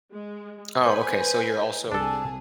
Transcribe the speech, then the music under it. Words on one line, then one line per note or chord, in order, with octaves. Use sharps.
Oh, okay, so you're also
G#3
B3 B4 C5 G#5
C2 D4 G#4 A4 A5